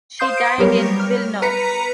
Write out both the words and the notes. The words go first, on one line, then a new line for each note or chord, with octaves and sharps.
She died in Wilno.
C5 F5 C6 D#6 G6 C7
D7
F#3 G3 B3 G4 A#4 C#5
F6
B4 A#5 B6 C#7